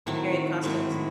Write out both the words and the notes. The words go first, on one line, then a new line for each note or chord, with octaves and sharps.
period costumes?
A2 D#3 F#3 C4 E4
G#2 D#3 F#3 C4 E4
A2